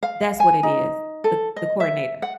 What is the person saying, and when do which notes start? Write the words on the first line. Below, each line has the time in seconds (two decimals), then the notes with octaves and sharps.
That’s what it is, the the coordinator.
0.03 F5
0.40 G#5
0.63 D#4
1.24 A4
1.56 D#5
1.80 E5
2.22 F#5